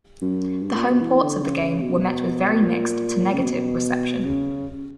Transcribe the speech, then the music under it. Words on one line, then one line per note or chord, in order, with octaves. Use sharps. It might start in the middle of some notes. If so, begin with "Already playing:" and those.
The home ports of the game were met with very mixed to negative reception.
F#2
G2
A#2
B2
E3
D3
C#3
B2
A#2
C#3
B2
C#3